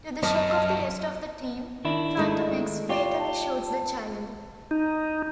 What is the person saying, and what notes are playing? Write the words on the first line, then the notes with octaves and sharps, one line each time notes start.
To the shock of the rest of the team, Fantomex fatally shoots the child.
F#2 D#5 A5 F6
D#3 D4 E4
G#3 A3 D#4
F4 G4 C#5 D5
A5
D#4